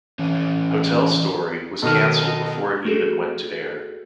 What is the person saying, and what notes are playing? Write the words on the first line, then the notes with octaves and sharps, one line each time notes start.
"Hotel Story" was cancelled before it even went to air.
E3 C#4
B2 D#3 A4 D#5 F5
A3 F#4 G#4 A4